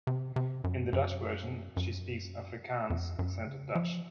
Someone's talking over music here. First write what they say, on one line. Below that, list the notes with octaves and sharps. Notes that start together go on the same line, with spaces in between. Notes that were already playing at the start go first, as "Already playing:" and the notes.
In the Dutch version she speaks Afrikaans accented Dutch.
C3
C3
F#2
F#2
F#2
F2
F#2
C#3
F3